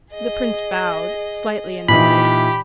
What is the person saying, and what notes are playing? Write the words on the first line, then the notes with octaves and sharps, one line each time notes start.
The prince bowed, slightly annoyed.
G#4 D#5
A#2 E3 D#4 G4 B5